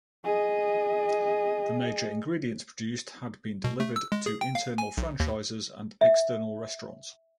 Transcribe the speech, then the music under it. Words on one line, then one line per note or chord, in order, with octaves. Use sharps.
The major ingredients produced had been delivered to internal franchises and external restaurants.
G#4 D#5
B2
A3
E6
G#3
G#4
G5
F5
G#5
B1
D#2
E5